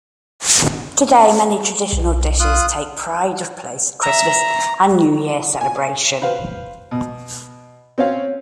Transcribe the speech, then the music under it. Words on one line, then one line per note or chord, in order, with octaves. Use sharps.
Today, many traditional dishes take pride of place at Christmas and New Year's celebrations.
B1
F4 D#6 F#6
E5 A#5
G#5
B4 C5 F5
B2
C4 C#4 C#5 F5